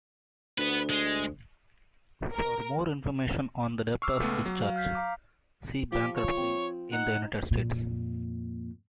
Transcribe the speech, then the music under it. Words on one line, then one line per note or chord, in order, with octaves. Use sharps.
For more information on the debtor's discharge, see Bankruptcy in the United States.
D2 B3 B4
G#3
A#4
C#6 D6 E6 F6 C7
C#2 A3 B3
F#3
F5
F6 G6 B6
F5 A#5 D6
F3 G4
C#5
C4
D#4 F#5
F2 A#2